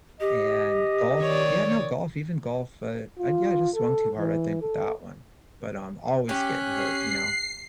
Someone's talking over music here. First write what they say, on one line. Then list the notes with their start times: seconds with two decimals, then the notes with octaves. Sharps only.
and golf yeah, no golf, even golf, uh, I yeah I just swung too hard, I think with that one, but I'm always getting hurt, you know,
0.20 G4 D#5
1.21 D#3 C#5 D5
3.19 F4
3.75 A4
4.19 E3
4.62 A4
6.29 C#4 G4 F#6 B6
6.73 C7